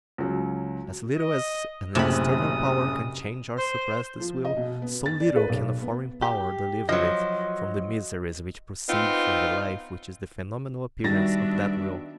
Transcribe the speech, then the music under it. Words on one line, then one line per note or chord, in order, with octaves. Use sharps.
As little as an external power can change or suppress this will, so little can a foreign power deliver it from the miseries which proceed from the life which is the phenomenal appearance of that will.
C#2 F#3
D#5
F#1 F#2 A2 C3 B5 D#6
C5
F3
D#5
B2
B3
A6
D5
B4
B1
B3
G4
F3 F#3 D#5
B3 C4 D#4 F4
D#3 G3 B3 D4 F#4 E5 A6 A#6